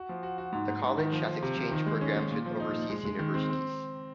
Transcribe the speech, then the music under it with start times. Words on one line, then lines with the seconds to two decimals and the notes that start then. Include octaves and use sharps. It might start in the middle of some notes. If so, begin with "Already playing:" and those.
The College has exchange programs with overseas universities.
Already playing: F#4
0.09 F3
0.23 F#4
0.38 F#4
0.52 G#2
0.68 G#2
0.83 G#2
0.98 D#3
1.13 F3
1.27 F3
1.42 C3
1.57 F3
1.71 D#3
1.86 G#3
2.01 C#4
2.16 G#3
2.31 A#2
2.46 F3
2.60 D#4
2.75 A#2
2.90 G#3
3.05 G#3
3.19 D#3
3.34 C4
3.49 C4